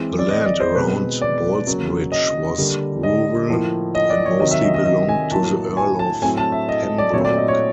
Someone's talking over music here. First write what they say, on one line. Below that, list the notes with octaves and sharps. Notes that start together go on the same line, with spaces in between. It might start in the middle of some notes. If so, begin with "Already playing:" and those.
The land around Ballsbridge was rural, and mostly belonged to the Earl of Pembroke.
Already playing: E3 G#3 C4
D5
D#5
D5
C5
B2 G#3 C4 B4
D5
C#3 F#3 A#3
D#5
D3 G3 A#3
D#5
A2 F3 A#3
D#5
D5
C#5
C3 D#3 F#3 D#5
E5
D#5
D#5
D#5
G#5
A2 F#3 A#3 A5
G#5
A5
A2 F#3 A3 C4 G#5
A5
E5
D#5
D#5
D5
A#2 F#3 A3 C4 C#5
D5
D#5
C#5